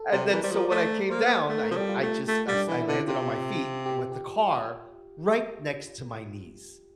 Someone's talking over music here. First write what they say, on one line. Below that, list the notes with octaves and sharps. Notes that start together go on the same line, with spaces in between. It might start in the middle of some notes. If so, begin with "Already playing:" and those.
And, then so when I came down, I I just I s I landed on my feet with the car right next to my knees.
Already playing: A4
C3
E3 A#4
G3 C5
F3 A#4
D5
A3 C5
A#3 C5
A3 A4
A#4
F3 A4
G3 G4
F4
A3
A3
G3
D4
E3
E4
D3
C3 F4
G4
G4